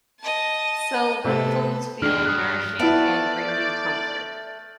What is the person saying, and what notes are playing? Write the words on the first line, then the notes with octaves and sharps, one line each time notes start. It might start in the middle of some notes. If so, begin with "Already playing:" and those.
So what foods feel nourishing and bring you comfort?
D#5 A5
C3 A3 B3 A4
E2 D4 G5 F6
G2 D#6 F#6
A3 B3 E4 D5
G6 A6